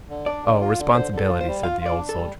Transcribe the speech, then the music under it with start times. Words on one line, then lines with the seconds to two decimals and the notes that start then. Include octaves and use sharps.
Responsibility!' said the Old Soldier.
0.09 D3
0.26 D4 D5
0.43 D3
0.61 F4
0.78 D3
0.95 D3 C5
1.12 D3
1.18 A4
1.28 F4
1.41 C5
1.47 G3
1.63 F4 F5
1.81 F4 D5
1.97 D4
2.09 A4
2.14 G3